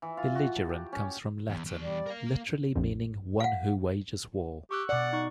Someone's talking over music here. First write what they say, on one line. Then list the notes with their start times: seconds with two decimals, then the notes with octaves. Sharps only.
Belligerent comes from Latin, literally meaning "one who wages war".
0.02 E3
0.17 F4
0.35 F#4
0.56 A5
0.69 G4
0.92 C#4
1.49 E2
1.65 E2 G5
1.82 G3 D5
2.06 A#4 F5
2.20 A#3
2.76 A#1 F2
3.40 F5 F#5
4.71 G4 C#6 E6 F#6
4.89 B2 D5 F#5
5.13 D#4 C#6